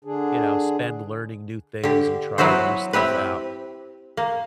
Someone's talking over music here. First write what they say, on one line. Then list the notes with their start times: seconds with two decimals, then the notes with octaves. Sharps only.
you know, spend learning new things and trying new stuff out.
0.05 D3 D4 G#4
1.84 D3 G4
2.38 F#3 B3 E4 F#4 C5
2.93 C4 E4 G4 B4
4.17 A#3